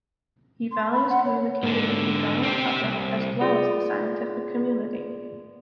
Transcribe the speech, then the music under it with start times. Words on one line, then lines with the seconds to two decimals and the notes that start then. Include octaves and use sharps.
He values communicating with the general public as well as the scientific community.
0.72 C6
0.92 B5
1.10 F#5
1.25 C#5
1.63 G#2 D3
2.43 C4 G4
2.83 C2
3.41 F4 G#4 D5